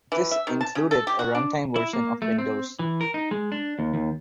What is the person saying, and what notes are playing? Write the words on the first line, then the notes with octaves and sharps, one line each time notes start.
This included a run-time version of Windows.
E3
E5
D#3
A5
C#3
A4
G4
F#4
D4
E4
A#3
A3
C4
E3
A#4
D#4
G#3
D4
D#2
D#2